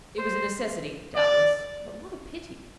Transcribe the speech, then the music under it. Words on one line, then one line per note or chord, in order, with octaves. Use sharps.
It was a necessity, doubtless; but what a pity!
C5
D5